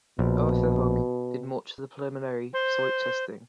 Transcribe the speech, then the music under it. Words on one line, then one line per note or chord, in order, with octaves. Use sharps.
Arthur Hogg did much of the preliminary site testing.
A#1 B2
C5